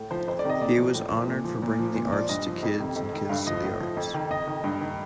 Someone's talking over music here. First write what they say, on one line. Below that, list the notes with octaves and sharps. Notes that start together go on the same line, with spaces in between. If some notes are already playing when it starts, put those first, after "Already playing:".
He was honored for bringing the arts to kids and kids to the arts.
Already playing: A2
F3 C5
F2 C5
D5
C3 D#3 D#5
A#2 D5
F3
A2
F3
A#2
F3
A#2
F3
A#2
F3 D5
G2 D#5
F3
F2
C3 D#3
F2
D#3
G2 F5
F3 D#5
A2
F3
F2
D#3
F2 D#5
D#3
G2
D#3